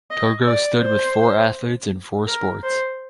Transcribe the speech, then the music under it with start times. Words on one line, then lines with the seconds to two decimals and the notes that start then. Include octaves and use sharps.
Togo stood with four athletes in four sports.
0.11 D#5
0.47 D5
0.82 C5
2.27 A#4
2.64 C5